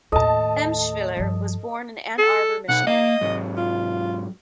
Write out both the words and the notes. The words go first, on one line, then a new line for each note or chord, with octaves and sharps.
Emshwiller was born in Ann Arbor, Michigan.
D#2 A2 A4 D#5 A5
G2 F3
A4
B1 B2 F#5
A#3 D#5 F5
G#2 F#3
F4